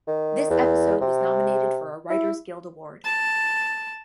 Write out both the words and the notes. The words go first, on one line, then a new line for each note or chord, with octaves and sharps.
This episode was nominated for a Writers Guild Award.
D#3
E2
C3
E4
A5